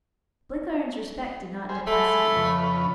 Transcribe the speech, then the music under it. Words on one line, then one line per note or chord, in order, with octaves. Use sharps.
Blenkiron's respect did not depress me.
G3 G#4 C5
G#3 A3 A4 B5
F2 C#3 B4